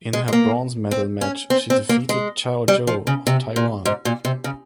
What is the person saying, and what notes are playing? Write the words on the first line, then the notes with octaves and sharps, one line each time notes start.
In her bronze medal match she defeated Chao Jou of Taiwan.
G#3
G#3
A#3
C4
C#4
C4
C4
A#3
G#3
G3
F3
C#3
C3
A#2
G#2
A#2
C3
C#3